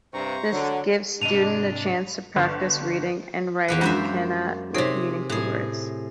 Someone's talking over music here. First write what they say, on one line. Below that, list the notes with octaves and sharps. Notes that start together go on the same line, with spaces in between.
This gives students a chance to practice reading and writing kana with meaningful words.
G2 C3 C5 A#5 C#6
D3 F#3
G#2 C3 D4 D#5 D#7 F7
G1
E2 A#3 B4
F#2 G#3 D4 C5 E5
C3 D#4 G#4 C5 C#5
A2 G#4